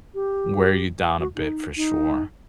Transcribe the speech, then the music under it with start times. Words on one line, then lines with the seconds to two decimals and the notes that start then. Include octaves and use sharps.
wear you down a bit for sure.
0.14 G4
1.20 F#4
1.36 D#4
1.77 D#4